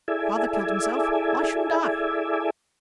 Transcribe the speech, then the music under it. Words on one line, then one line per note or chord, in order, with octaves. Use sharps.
Father killed himself--why shouldn't I?
E4 G#4 A4 D5 E5 G#5